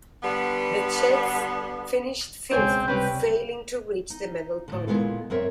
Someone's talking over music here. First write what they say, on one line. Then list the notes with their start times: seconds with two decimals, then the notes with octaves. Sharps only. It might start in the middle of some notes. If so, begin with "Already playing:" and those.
The Czechs finished fifth, failing to reach the medal podium.
0.23 D3 G3 B3
2.51 C#2 B2 G#3 C4 C5 C#5 G#5 G6
2.88 C3 G3 C4 C#4 G4 B4
4.10 D#4
4.68 A2 D3
4.87 A#2 G3 G#3 B3 F4 A4
5.30 F#2 C4 A#4 C#5 E5